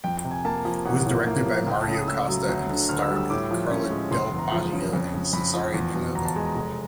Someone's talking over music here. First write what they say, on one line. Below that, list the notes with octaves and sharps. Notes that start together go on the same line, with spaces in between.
It was directed by Mario Costa and starred Carla Del Poggio and Cesare Danova.
F2 G5
G5
C3
G#5
A#3 A5
F3 G#5
A1 F#5
A2
A#3
F3
C#2 G5
A5
C#3
D#6
A3 E6
F#3
D2
D3
D2 F6
E6
G3
E6
A2 D6
F3
C#4
G#3
F#1 C6
E2
A#5
F3
C#3
F2
C#3
F2 B5
F3
E2
B2
E2 A#5
A5
G#3 G#5
A#5
F1